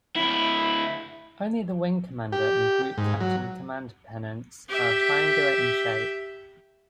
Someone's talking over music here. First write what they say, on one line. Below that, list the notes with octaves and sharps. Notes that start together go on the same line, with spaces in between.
Only the wing commander and group captain command pennants are triangular in shape.
D2 E4
G4
G#2
F#3
G4 E5